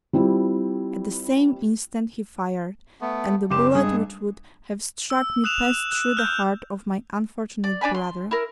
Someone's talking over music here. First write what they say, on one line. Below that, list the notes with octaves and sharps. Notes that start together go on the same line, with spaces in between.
At the same instant he fired, and the bullet which would have struck me passed through the heart of my unfortunate brother.
G3 C4 E4 F4 G4
A3 B3
F#1 G4 C6 E7
G2 G3 G#3 G#4
E6
D#6 F#6 E7 F7
F#6
F6 G6
D5
D4 D5 G#5 B5
C6
E4 A#4